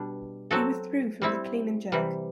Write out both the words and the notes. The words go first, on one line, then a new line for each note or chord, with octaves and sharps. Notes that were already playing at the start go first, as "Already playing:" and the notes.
He withdrew from the clean and jerk.
Already playing: B2 G3 D4
F#3 C4 F#4 A4
G3 C4 E4
C3 E3 G3